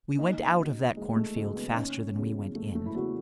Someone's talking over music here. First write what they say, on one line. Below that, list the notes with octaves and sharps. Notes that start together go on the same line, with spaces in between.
We went out of that cornfield faster than we went in.
D#2 D#4
C#3 F#3
D#2 G#3
A3
C#3 F#3 G#3
B3
D#4
F#1 C#4
E2 C#3 F#3
F#1 A3
A3
E4
E2 C#3 F#3 F#4